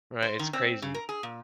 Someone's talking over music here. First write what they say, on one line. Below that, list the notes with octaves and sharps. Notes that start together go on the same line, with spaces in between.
Right, it's crazy.
C5
D#3
C4
C#3
A#4
G#4
A#2